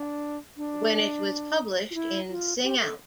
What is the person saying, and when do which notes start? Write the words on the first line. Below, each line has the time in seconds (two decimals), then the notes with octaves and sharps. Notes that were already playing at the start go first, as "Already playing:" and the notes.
When it was published in Sing Out!
Already playing: D4
0.57 D4
1.91 F4
1.95 E4
2.30 F4
2.63 G4
2.81 A4